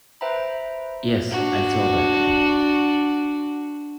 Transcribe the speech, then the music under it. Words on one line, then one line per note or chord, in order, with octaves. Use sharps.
Yes, I saw that.
B4 C5 E5 G5 A#5 B5
D4 F#4